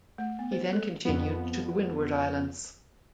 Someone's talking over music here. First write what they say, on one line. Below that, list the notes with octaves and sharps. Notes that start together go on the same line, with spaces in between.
He then continued to the Windward Islands.
A3
B3
C5
A4
F2 B3